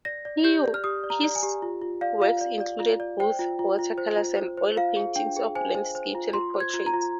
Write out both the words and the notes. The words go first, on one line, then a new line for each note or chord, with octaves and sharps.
His works included both watercolors and oil paintings of landscapes and portraits.
D5 A#6
D5
G4 G6
D5
F6
G4 D#6
D5
A#5
D5
G#5
G4
F4
F4
D5 F5
F4 F5
D5
D5
F4
D5
C5 G5
F4
F4
F4
C5
F4
C5
C5
F4 F5
G#4
D4 G5
G#4
C5 G#5
C5
C5
F4
F4 C6
C5
G#6
F4
A#5
F4